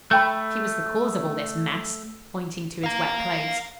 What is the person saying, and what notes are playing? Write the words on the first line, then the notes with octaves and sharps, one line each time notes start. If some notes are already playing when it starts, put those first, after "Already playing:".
"She was the cause of all this mess," pointing to his wet clothes.
A3 A4 G5 B5
F5 A#5